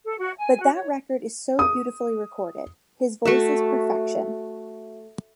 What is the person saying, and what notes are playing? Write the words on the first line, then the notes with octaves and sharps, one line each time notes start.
But that record is so beautifully recorded; his voice is perfection.
A4
F#4
G#5
F#4
C#5
D#6
A3 F#4 E5